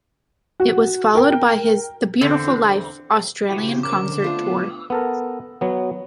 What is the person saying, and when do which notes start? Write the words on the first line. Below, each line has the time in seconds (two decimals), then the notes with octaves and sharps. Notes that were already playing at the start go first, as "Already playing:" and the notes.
It was followed by his "The Beautiful Life" Australian concert tour.
0.60 F#4
1.15 A#4 G5
2.21 E2 D3 C4
3.49 C#3 E4 F#4 G4 C5
3.83 D3 C#4 A#4 D6
4.22 A3 B3 D4 F4 C5
4.90 B3 A4 A#4
5.61 F#3 B3